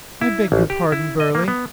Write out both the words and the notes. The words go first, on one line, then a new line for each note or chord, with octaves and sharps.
"I beg your pardon, Burly!"
E4
A1
G4
E4
D#5
A#3
B3